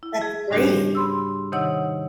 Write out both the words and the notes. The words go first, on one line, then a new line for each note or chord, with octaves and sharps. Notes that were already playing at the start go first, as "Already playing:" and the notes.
That's great.
E4
G#4
G#2 C#3 G3 D4 F#4 G4
B5 C6 E6
C3 D#3 D#4 C#5 F#5 E6